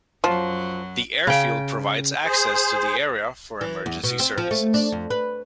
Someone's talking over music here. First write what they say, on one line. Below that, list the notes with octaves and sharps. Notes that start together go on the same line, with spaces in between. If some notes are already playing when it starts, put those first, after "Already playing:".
The airfield provides access to the area for emergency services.
F#2 F3 F#3
C#3 G5
G#4 C5
E3
E2
B2
C4
F3
A3
D4
F2
B4